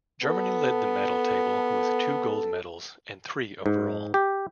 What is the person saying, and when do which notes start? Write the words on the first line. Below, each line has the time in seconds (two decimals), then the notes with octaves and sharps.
Germany led the medal table with two gold medals, and three overall.
0.23 B3 A4
3.66 G#2
4.14 G4